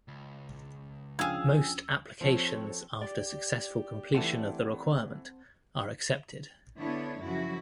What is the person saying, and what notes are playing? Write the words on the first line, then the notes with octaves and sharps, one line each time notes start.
Most applications after successful completion of the requirement, are accepted.
C#2
F3 C#4 D4 G#4 F5 G5 E6 G#6
F3 C4 A4 C#5
G4 D5
E3 A3 C4 F#5 A5
D3 B3 D4 E4 C#5
F#2 C#3 F3 E4 F#4